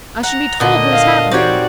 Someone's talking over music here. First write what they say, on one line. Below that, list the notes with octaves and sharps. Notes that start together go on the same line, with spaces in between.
"I should be told what is happening."
F#5 A#5
A#2 D3 B3 D#5
F5
C4 D#4 F#4 G4 C#5 D5